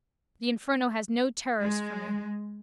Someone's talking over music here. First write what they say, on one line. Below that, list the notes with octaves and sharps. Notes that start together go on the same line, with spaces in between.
The inferno has no terrors for me.
G#3